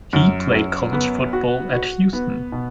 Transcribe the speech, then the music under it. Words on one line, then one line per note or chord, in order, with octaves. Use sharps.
He played college football at Houston.
F#2
F#2
B3
F#4
F#4
B3
B2